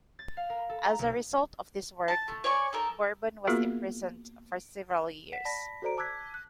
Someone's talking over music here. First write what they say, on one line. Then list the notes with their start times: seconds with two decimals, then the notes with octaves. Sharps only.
As a result of this work, Bourbon was imprisoned for several years.
0.19 A6
0.37 F5
0.50 A#4
0.69 A4
0.85 A#5
0.99 B1
2.08 A5
2.28 A3
2.44 C#5 D5 G#5 C#6
2.73 D#4 A4 A#4
3.47 A#3 B3 F4 F#4 G#4 A#4
5.32 F#5 B6 E7
5.45 D5 A5 B5 A#6 B6
5.82 F#4 A4 C5 D5 A#5 D7
5.97 A5 D6 E6 F#6 G#6 B6
6.34 F#6